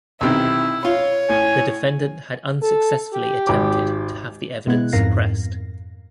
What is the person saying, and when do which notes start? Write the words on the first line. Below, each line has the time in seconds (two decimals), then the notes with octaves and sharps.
The defendant had unsuccessfully attempted to have the evidence suppressed.
0.21 B1 C3 D#3 E4 E6
0.85 F4 C#5
1.29 A2 G#5
2.63 A4
3.14 G4
3.47 G#1 D6
4.67 B2 G#3 B3 E4 F#6 G#6
4.92 F2 G#2 A#4 F5 A#6 C7